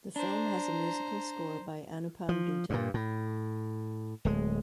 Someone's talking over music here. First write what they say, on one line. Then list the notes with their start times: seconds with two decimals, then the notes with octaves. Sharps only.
The film has musical score by Anupam Dutta.
0.16 D4 C5 A#5
2.29 F3
2.70 G2 A#2
2.94 A2
4.25 D1 G#3